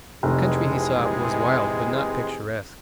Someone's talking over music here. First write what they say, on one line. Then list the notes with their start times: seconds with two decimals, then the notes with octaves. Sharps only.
The country he saw was wild but not picturesque.
0.23 F1 C3 E3 G#3